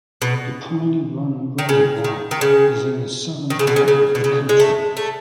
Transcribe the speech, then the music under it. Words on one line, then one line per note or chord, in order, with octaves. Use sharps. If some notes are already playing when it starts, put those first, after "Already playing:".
The Piney Run Reservoir is in the southern part of the county.
B2
D#3
C#3
D#3
D#3
C#3
D#3
C#3
B2
C#3
C#3
B2
C#3
G#3
A3
A3